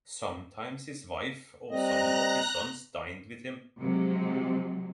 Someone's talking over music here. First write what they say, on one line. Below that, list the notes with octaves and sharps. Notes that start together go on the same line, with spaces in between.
Sometimes his wife or some of his sons dined with him.
G3 C4 D#5 A#5 F#6 A#6
C3 F3 F#3 G#3